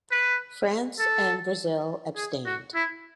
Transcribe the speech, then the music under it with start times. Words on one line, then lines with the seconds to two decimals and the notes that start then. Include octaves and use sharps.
France and Brazil abstained.
0.11 B4
0.99 A4
2.16 G#4
2.45 F#4
2.75 E4